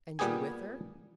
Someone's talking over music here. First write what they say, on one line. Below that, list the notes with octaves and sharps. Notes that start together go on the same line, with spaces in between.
"And you with her?"
A#2 G3 B3 G4 G#4 G#5